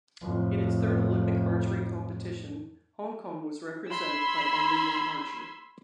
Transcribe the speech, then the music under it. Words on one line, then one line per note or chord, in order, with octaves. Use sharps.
In its third Olympic archery competition, Hong Kong was represented by only one archer.
F2 A2
B5 C6 E6 G#6